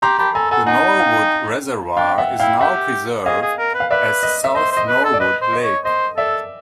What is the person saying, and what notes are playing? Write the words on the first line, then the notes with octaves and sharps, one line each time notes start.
The Norwood reservoir is now preserved as South Norwood Lake.
G4 A#5 C6
G4 A5 B5
A4 G#5 A#5
A4 F#5 G#5
D#4 F#5 G#5
F5 G5
D4 F5 G5
E5 F#5
E4 F5 G5
G4 E5 F#5
G#4 D#5 F5
G#4
A#4
B4
F5
B4 D5 E5
D#5
E5
C5 D#5
C5
D#5
B4
A4
D5
B4 D#5
C5
D#5
C#5
C5 D#5
A4 D5 E5